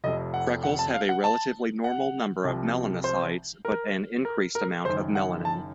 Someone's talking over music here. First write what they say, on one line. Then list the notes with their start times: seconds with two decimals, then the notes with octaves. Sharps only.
Freckles have a relatively normal number of melanocytes but an increased "amount" of melanin.
0.04 F1 F2 C3 D#5
0.34 F#5
0.64 F#5
0.79 A5
0.94 F5
1.09 F#5
1.24 A5
1.84 F#5
2.44 C2 C3 F3
3.04 C5
3.65 A#4
4.25 A#4
4.55 A#4
4.85 F#1 F#2 D#3 C5
5.15 F#5
5.45 A5